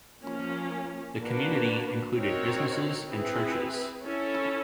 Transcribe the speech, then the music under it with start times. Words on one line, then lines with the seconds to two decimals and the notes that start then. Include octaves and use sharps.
The community included businesses and churches.
0.23 F3 A#3 C#4
1.18 A#3 D4 F#4 B4
2.13 C4 D#4 F#4 A#4 C#5
3.08 C4 E4 G#4 B4
4.03 C#4 E4 A4